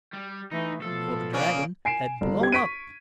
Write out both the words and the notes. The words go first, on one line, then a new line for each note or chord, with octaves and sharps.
For the dragon had blown up.
G3
E3 A3 D#4
B2 F3 A4
C#3 A#3 C#4 D4
G#5 C7 D7 E7
G1
G4 G#6
C#6 B6 D7 D#7